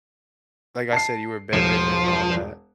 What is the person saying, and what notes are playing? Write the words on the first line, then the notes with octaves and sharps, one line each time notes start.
like, I said, you were bedridden and all that.
A5 C7
E1 F3 E7